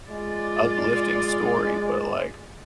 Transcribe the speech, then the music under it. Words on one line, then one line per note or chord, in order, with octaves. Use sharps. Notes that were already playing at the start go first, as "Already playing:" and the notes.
uplifting story, but, like,
G#3 F4 D5